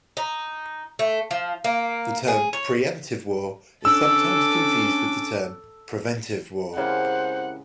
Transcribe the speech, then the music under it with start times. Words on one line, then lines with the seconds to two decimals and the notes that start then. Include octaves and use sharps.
The term 'preemptive war' is sometimes confused with the term 'preventive war'.
0.17 D#4
0.99 A3
1.31 F3
1.64 A#3
2.28 G#4
2.53 C#5
3.85 C#4 D4 A4 D6 E6
6.77 C#3 G#3 C4 E4 G4 A#4 C5 F#5